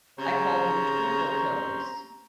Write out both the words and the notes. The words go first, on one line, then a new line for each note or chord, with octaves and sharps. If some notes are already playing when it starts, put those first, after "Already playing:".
I called him Twinkle Toes,
C#3 C4 C#4 G4 A#5